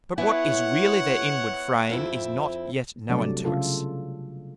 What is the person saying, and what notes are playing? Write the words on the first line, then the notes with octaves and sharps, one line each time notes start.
But what is really their inward Frame is not yet known to us.
B3 E4 C#5 F#5 G#5
F2 C4 E4
C3 F#3 G3 A3 D4 D5
C#3 F4 A4